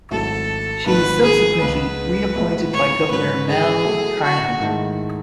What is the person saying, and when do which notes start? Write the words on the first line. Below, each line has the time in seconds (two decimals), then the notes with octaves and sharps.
She was subsequently re-appointed by Governor Mel Carnahan.
0.11 G#1 G#2 F#3 A3 E4 A4
0.86 G#1 G#2 D#3 F#3 A3 B4
1.23 G#4
1.60 C#2 C#3 G#3 B3 B4
2.35 B1 A2 G#3 B3 E4
2.73 C#5
3.11 G#2 F#3 C#4 B4
3.48 G#4
3.85 B2 F#3 A3 E4 A4
4.23 F#4
4.60 G#2 D#3 A3 E4 G#4